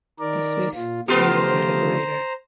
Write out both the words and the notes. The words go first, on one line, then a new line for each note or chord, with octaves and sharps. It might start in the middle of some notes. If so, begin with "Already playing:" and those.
The Swiss cheer their Liberator.
D#3 A#4 D5
A#2 F4
C#3 F3 A3 B3 F4 G4 C5 A#5